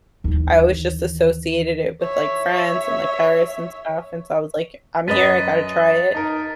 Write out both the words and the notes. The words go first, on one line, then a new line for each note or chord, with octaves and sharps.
I always just associated it with, like, France, and, like, Paris, and stuff, and so, I was like, "I'm here, I gotta try it."
D#2 E3
C#5 E5
F#2 B4 D#5 A6 B6 D#7
D#4 A#4